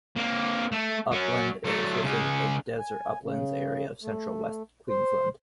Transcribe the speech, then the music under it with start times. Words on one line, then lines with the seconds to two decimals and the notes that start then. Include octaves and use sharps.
Upland is within the Desert Uplands area of Central West Queensland.
0.16 A#3 C4
0.72 A3
1.12 F#3 C#4
1.64 F#3 A3
2.04 C#3 G#3
2.79 G#5
3.23 C#3
4.03 A3
4.89 C5